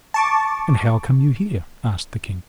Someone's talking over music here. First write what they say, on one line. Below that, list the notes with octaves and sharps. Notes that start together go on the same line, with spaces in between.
"And how come you here?" asked the king.
A5 C#6 D6